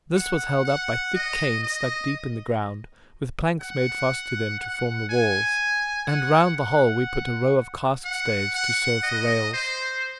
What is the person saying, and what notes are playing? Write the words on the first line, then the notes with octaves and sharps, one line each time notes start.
This was held up by thick canes stuck deep in the ground, with planks made fast to them to form the walls, and round the whole we put a row of cask staves to serve for rails.
F#5
F#5
D#5
D#5
F#5
F#5
G#5
F#5
F#5
F#5
F#5
D#5
C5